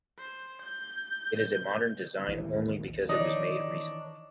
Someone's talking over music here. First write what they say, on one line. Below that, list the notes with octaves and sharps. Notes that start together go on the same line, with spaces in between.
It is a modern design only because it was made recently.
C5
G6
A1 D#2 E3
D#3 E3 D4 D#4 C#5